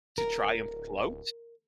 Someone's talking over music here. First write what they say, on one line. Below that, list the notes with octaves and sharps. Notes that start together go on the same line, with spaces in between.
to try and float
D1 A#4